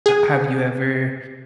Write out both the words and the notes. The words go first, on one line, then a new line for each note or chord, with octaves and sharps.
A have you ever
G#4 G#5